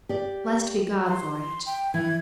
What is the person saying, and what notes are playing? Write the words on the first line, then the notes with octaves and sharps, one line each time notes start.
Blessed be God for it!
G4 D5
C6
G5
E3 G#6